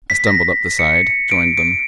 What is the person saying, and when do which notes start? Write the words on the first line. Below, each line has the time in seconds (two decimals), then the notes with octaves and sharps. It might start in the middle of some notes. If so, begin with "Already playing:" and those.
I stumbled up the side; joined them.
0.10 B6
0.27 A#6
0.79 C#7
1.31 D7
1.58 D7